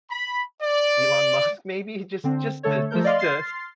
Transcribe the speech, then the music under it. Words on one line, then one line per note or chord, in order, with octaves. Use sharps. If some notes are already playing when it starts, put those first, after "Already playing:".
Elon Musk, maybe, just just to just to,
B5
D5
D3 C4
D3 A3 A4 C#5
F3 A3 A4 A#4 G6
D5 D#5 F5 C6
C6 F6 A6 C7